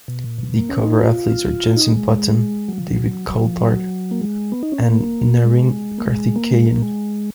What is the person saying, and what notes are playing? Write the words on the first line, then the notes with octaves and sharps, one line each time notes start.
The cover athletes are Jenson Button, David Coulthard and Narain Karthikeyan.
B2
A#2
B2
A#3
C#4
D#4
F4
D#4
G#3
F#3
F3
F#3
F#3
F3
F#3
A#3
G#3
B3
D#4
C#4
A#3
G#3
A#3
G#3
A#3
G#3
A#3
G#3